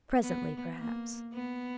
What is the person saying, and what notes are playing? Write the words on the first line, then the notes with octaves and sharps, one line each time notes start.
Presently, perhaps.'
B3
A#3
B3